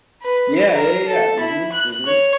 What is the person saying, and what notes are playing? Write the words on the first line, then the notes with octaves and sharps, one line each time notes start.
Yeah, yeah, yeah, yeah. Mhm, mhm.
B4
A#4
A4
E4
F#6
C#5